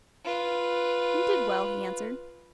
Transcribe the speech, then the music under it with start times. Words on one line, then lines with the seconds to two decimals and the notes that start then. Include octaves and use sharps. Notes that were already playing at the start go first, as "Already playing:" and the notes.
"We did well," he answered.
0.25 F4 B4